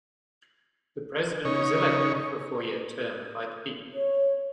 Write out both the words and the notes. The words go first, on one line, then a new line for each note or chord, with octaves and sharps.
The president is elected for a four-year term by the people.
C#3 D#4 C#5
C#5